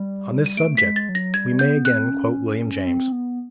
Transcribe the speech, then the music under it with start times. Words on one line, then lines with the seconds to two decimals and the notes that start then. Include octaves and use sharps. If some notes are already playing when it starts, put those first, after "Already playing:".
On this subject we may again quote William James.
Already playing: G3
0.46 D#7
0.57 A3 D7
0.77 B6
0.84 G#3
0.96 A6
1.09 F#3
1.15 A#6
1.34 G3 G#6
1.59 B3 G6
1.85 C4 F#6
2.10 C#4
2.87 C4
3.12 B3